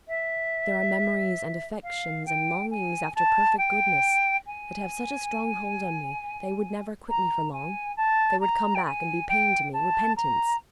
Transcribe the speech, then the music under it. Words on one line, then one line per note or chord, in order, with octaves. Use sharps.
There are memories, and affections, and longings after perfect goodness, that have such a strong hold on me; they would never quit me for long; they would come back and be pain to me--repentance.
E5
F5
G5
G#5
A5
G5
G#5
A#5
G#5
A5
A#5
G5
G#5
G5
A5
A#5